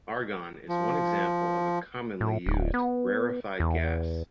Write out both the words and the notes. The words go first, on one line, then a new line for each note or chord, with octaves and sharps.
Argon is one example of a commonly used rarefied gas.
F3
A2
D1
B3
E2